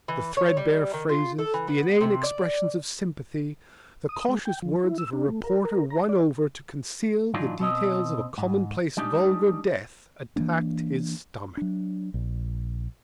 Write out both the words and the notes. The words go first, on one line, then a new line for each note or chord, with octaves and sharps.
The threadbare phrases, the inane expressions of sympathy, the cautious words of a reporter won over to conceal the details of a commonplace vulgar death attacked his stomach.
E3
C#5
G3
D#3
F4
A4
E3
B3
C3
D5
D#6
G#3
G5
F3
E4
E6
D4
A3
A#4
A#4
A#5
D5
G#2 E3 F#3 D4 D#4 F4
B2 C4 D#5
G#2
G3 G#3 D4 D#4
E3 F#3 A#3 D4
F#3 D4
A#1